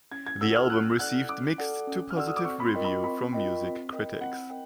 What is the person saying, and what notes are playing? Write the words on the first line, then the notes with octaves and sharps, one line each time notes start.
The album received mixed to positive review from music critics.
C#4 G#6
G#6
F#4 A4 D5 F#5 E6
F6
C#4 F#6
F#4 A4 D5 F#5 F#6
C#4 D6
F#4 A4 D5 F#5
C#4
F6
F#4 A4 D5 F#5 E6
D#6
D6
C4 C#6
B5
C6
F4 A#4 D#5 G5
B5
C4 B5
F4 A#4 D#5 G5
C4
F4 A#4 D#5 G5
C4 F#5
A#4 D#5 G5